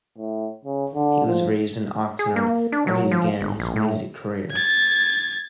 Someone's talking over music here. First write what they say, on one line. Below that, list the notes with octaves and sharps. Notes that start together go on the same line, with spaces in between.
He was raised in Oxnard, where he began his music career.
A2
C#3
D3
F3
G#4
A#3
D4
F#3
F3
G1
A#1
A2
G#6 A6